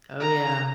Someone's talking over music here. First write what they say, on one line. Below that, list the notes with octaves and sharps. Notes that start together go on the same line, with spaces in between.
Oh, yeah.
A#5